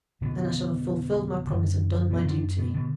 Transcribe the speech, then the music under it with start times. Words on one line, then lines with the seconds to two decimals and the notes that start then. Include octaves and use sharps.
Then I shall have fulfilled my promise, and done my duty.'
0.21 F2 B2 D3 B3
1.47 F#2 D3
2.11 B2 B3
2.26 D3 D4
2.58 B2 B3
2.74 B2 D3 B3